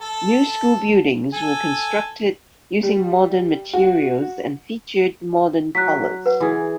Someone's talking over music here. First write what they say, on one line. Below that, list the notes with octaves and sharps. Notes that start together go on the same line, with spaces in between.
New school buildings were constructed using modern materials and featured modern colours.
A4 A5
A4 G#5
G3
F#4
F#3 F#6 B6
B4 F#5
E3 G#4